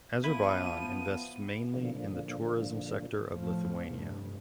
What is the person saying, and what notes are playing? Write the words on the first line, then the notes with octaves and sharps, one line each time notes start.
Azerbaijan invests mainly in the tourism sector of Lithuania.
F3 B3 E4 D#7
A#2 D3 F3
A2 F3
F1 G2